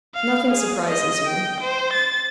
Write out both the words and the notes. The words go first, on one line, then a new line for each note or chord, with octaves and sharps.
Nothing surprises you.
F5
G#4
D#5
G5
C5
A6